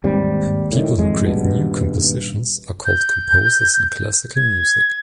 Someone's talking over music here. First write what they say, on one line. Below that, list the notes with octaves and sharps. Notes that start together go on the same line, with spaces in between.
People who create new compositions are called composers in classical music.
D#2 G#2 G3 C4
A2 D#3
G#1 F2 G#3
D#1 G2 B2
G6
G#6